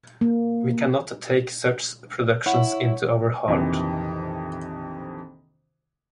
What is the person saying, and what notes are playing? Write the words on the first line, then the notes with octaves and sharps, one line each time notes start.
We cannot take such productions into our heart.
A#3
E4 C#5 F#5
A#1 F2 C3 D#3 E3